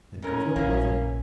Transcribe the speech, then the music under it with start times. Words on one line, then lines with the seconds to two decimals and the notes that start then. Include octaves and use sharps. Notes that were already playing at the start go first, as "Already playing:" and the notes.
Think of your brother!
0.22 F2 C#4 A#4
0.56 A#1 E3 A#3